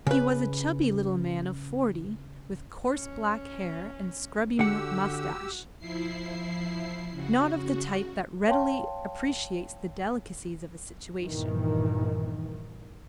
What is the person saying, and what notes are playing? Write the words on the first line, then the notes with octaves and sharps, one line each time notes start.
He was a chubby little man of forty, with coarse black hair and scrubby moustache, not of the type that readily appreciates the delicacies of a situation.
C#3 B4
C#4
D3 F#4 G4 F#5 E6
F3 E4 C7
C#3 F#4
C#5 F5 G5 A5 C6
G2 A#2 D#3 E3